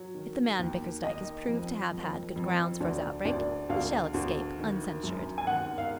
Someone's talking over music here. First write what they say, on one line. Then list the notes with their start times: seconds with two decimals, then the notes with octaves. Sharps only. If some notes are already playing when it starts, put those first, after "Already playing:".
If the man Bickersdyke is proved to have had good grounds for his outbreak, he shall escape uncensured.
Already playing: F#3
0.14 D#3
0.59 D#2
1.03 D#3 D#5
1.48 F2
1.92 F2
2.36 F2
2.80 D2 D5
3.25 D2 D5
3.69 D2 F5
4.14 D2
4.58 D#3
5.04 F#2
5.38 G#5
5.47 D#3 F#5
5.78 F5